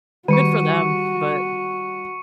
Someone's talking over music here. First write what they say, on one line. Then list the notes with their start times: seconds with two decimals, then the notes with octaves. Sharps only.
good for them. But
0.28 D#3 G3 F#4 C#6 C#7 D#7